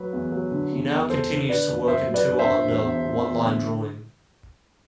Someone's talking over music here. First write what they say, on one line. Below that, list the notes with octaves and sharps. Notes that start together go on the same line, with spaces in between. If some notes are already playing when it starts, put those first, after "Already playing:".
He now continues to work and tour under onelinedrawing'.
Already playing: F#3 B4
E2
F#3
D3
E2
E2
E1 A4 C5
D3
D3 B4 D5
E1
F#2 C5 E5
F#3
B4 D5
G1
C5 E5
G1
E1
E2
B2
E2
D3